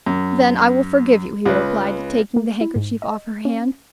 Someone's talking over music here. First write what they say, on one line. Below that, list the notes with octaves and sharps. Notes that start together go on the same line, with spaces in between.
"Then I will forgive you," he replied, taking the handkerchief off her hand.
F#2
C#2 B4
A#3
E4
G#2
D#5
C#4